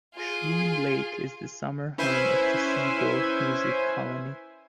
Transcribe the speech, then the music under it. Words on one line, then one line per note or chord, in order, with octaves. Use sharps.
Schroon Lake is the summer home of the Seagle Music Colony.
F4 G#4
C#4 E4 B4 C5 E5 G#5